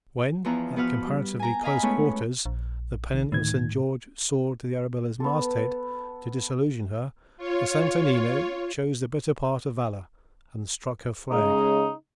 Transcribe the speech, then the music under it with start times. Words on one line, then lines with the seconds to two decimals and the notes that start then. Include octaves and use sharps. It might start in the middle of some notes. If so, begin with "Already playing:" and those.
When at comparatively close quarters the pennon of St. George soared to the Arabella's masthead to disillusion her, the Santo Nino chose the better part of valour, and struck her flag.
0.45 E2 F3 B3 E4 A#5
0.76 F3 B3 F#4 B4 F#5 F6
1.06 G3
1.40 G#5 A#5
1.63 D#5 F5 G#5 A#5 B5
1.82 G#3 A3 B3 C#4 E4 C#5
2.46 A#1
3.14 D#3
3.32 D2 A2 D#3 G#6
5.20 B3 A4
7.37 F4 C#5
11.31 C#3 G#3 D#4